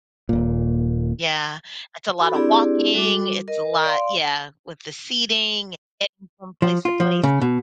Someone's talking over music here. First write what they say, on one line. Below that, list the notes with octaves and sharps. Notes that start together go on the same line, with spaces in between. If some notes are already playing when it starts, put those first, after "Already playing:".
Yeah, it's a lotta walking, it's a lot yeah, with the seating, eh and from place to place.
D#1 A#2
F#4 A4 B5
C4 D4 E4 G4 G#4 D5
G3 F#4 A4 D6
A#4 D#5
D5 F5 C6
F3
F4
F3
C#3
B2